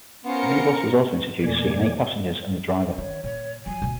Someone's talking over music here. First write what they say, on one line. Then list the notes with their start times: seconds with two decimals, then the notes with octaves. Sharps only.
A minibus was also introduced seating eight passengers and the driver.
0.25 B3 C#4 F4 A#4 C5 C#7
1.43 F2 B2 A3 A#3 D5 G#5
2.98 D#3 C#5
3.24 A#2 C#5
3.66 F3 F#3 G#5
3.82 D2 B2